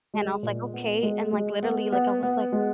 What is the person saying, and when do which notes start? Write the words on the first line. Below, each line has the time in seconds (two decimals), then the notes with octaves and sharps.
and I was like “Okay,” and, like literally, like I was, like,
0.14 G#3
0.43 A#2
0.73 B3
1.03 G#3
1.33 G#3
1.63 B3
1.92 B3
2.23 B3
2.52 G#3